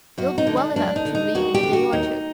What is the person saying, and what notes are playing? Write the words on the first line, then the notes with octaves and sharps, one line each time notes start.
You'll be well enough to leave in a day or two.
F#2 F#4
D#4
D3
D4
F#2 D4
D#4
D3
D#4
D#2 F#4
G4
D3
F#4
D#2 D#4